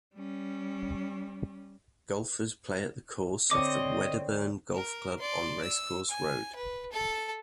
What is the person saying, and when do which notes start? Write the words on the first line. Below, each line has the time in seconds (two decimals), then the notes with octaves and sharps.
Golfers play at the course of the Wedderburn Golf Club on Racecourse Road.
0.15 G3 C#4
3.51 D3 C4 C#5 D#5 G5 D6
4.75 A#4
5.20 D5 C6
5.62 E6
6.10 G#5
6.55 B4
6.92 A4 A5